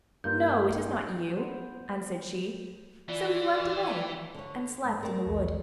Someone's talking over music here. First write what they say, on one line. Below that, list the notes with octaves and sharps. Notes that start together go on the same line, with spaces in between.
'No, it is not you,' answered she, so he went away and slept in the wood.
G2 A#3 F4 G6
B3 C5
E3 F4 D5
D3 C#5
G#2
A3 A#4 D5
B1 E2